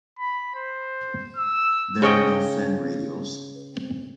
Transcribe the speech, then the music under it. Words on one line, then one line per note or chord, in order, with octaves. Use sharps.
There are no fin radials.
B5
C5
E6
C#3 C#5 D#5 G5